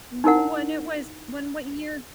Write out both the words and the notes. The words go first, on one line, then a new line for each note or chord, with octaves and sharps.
When it was when what year?
D#4 E4 A#4 F#5